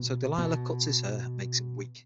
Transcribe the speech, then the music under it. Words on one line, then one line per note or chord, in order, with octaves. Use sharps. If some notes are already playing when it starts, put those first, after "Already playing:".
So Delilah cuts his hair and makes him weak.
Already playing: B2
B2